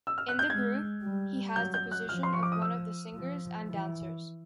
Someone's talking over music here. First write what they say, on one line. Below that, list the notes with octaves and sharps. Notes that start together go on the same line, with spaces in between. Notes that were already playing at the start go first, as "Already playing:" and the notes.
In the group, he has the position of one of the singers and dancers.
E6
F6
F#6
G6
G#3 G#6
G3
F#3 G6
G6
F#6
F3 F6
C6
C#6
D6
D#6
E6
F3
E3